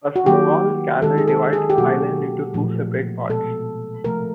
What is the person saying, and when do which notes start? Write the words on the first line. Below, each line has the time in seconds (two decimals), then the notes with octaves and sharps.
A small canal divides the island into two separate parts.
0.16 F#4
0.26 D#3 F#3 A#3 G4
1.02 D#3 G#3 A4
1.18 G#4
1.28 A4
1.53 G#4
1.70 G4
1.78 B2 F#3 A#3 F#4
2.54 A#2 F3 A3
3.29 B2 G#3 A4
4.04 C3 F3 A3 A#4